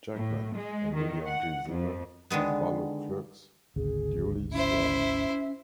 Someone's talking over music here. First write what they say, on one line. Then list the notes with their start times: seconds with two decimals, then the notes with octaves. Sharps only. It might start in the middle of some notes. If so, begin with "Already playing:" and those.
Jackman and William G. Ziemer as ballot clerks, duly sworn.
0.14 A2
0.56 G#3
0.94 D#3
1.26 F#5
1.71 F2
2.30 D3 D#3 G#3 B3
3.76 G#1 D2 C#3 G#4
4.53 C#4 E4 C5 E5